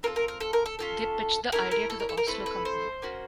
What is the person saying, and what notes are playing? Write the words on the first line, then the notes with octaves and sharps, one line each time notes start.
They pitched the idea to the Oslo Company.
C4 F4 A4 A#4
A#4
A#4
A4
A#4
A4
C#4 F4 A4
C#4 E4 A4 A#4
A#4
A4
A#4
A4
A#4
A3 C4 E4 A4 B4
B4
C5
A#3 C#4 F#4